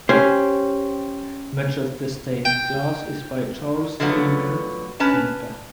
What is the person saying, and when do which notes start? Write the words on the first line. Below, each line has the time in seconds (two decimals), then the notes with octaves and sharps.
Much of the stained glass is by Charles Eamer Kempe.
0.09 C#4 G4 C5
2.45 G5
4.00 D3 F3 F#3 A3 B3
5.00 C#4 B4 A5